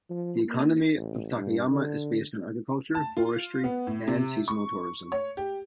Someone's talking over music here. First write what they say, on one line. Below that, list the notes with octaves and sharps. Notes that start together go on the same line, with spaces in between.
The economy of Takayama is based on agriculture, forestry, and seasonal tourism.
F3
A#3
A1
G2
D3
A5
F4
B3
A2
C3
C#6
C#5
G4